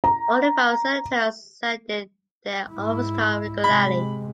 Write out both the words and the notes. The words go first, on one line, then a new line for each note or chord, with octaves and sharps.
All involved Senators, ended their office time regularly.
A#5
G#2 E4
C3 G#3 B5